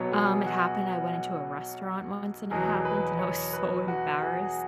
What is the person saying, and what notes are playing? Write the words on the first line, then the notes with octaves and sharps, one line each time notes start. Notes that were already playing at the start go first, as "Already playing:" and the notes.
Um, it happened I went into a restaurant once, and it happened, and I was so embarrassed.
Already playing: B1 B2 F#3 B3 C#5
G#4
F#4
E2 B2 F#3 G#4
B4
C#5
B4
F#4
G#4